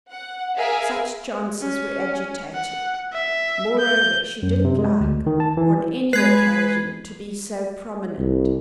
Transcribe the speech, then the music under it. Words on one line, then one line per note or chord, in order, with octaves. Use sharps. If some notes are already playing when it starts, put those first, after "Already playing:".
Such chances were agitating; moreover, she didn't like, on any occasion, to be so prominent.
F#5
G#4 A#4 E5 F5
C#4
F#5
E5
G6
F#2
C3
G#3
D2
D#3
A5
E3
G#3 G#4 B4 G#6 C7
C2